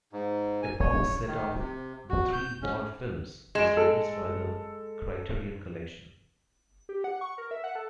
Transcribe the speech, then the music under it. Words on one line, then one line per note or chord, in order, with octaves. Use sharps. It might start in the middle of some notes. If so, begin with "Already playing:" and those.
A box set of the Three War Films was released by The Criterion Collection.
G#2
G#5
C#5
D#3
C3
F#4
G6
C#4
G#3 D7 E7
A4
G4
F#5
C#6
A#4
E5
F#5
A4